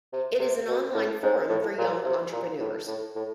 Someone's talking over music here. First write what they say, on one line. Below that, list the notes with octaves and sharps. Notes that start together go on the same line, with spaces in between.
It is an online forum for young entrepreneurs.
C3
C3
B2
A2
G#2
A2
A#2
C3
A#2
A2
A2
A2